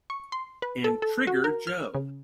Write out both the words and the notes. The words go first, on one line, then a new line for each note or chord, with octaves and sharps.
And Trigger Joe!
C#6
C6
B4
A4
A4
F#4
A#4
F6
C#3